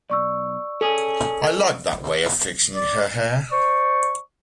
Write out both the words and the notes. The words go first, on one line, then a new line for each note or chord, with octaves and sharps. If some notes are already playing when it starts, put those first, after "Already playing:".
I like that way of fixing her hair.
B1 D5 C#6 E6
C#4 G#4 A4
D5
C5 D5 C#6